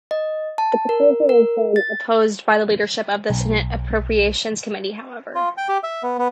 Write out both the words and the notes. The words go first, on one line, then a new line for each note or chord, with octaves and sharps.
The proposal has been opposed by the leadership of the Senate Appropriations Committee, however.
D#5
A5
A#4
A#4
A6
B1
F4
G5
G4
E5
B3
B3